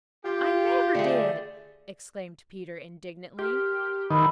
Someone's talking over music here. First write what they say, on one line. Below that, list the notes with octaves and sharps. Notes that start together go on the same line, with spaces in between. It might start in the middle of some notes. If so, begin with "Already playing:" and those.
"I never did!" exclaimed Peter indignantly.
F4 G4
D3 A3 G#4
G4 A#4 C6 F6
G2 D#3 B5 E6